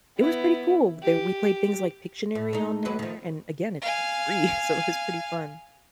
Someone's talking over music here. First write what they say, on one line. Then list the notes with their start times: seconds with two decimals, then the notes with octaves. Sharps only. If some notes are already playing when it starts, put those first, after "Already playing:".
it was pretty cool. They we played things like Pictionary on there. And, again, it's it's free, so it was pretty fun.
0.17 B3 E4
1.02 G4
2.35 A2
2.53 A3 D#4
2.85 D#2 F#3 B4
2.99 D#3 F3
3.81 F5 G#5